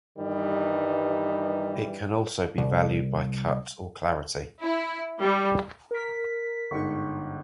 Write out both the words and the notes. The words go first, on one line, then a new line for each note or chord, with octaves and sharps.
It can also be valued by cut or clarity.
G2 D#3 E3 G3 D#4
C2
E4
G3
A#4 B6
G1 G#2 C#6